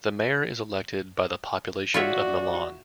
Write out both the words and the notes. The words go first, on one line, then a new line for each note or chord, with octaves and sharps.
The Mayor is elected by the population of Milan.
F4 F#4 C#5 D5 E5